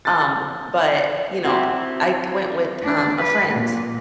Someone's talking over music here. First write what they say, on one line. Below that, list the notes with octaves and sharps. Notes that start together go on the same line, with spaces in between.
um, but, you know, I went with, um, a friend
A6
C4 E4 F#4 G4
D4
B4
A#2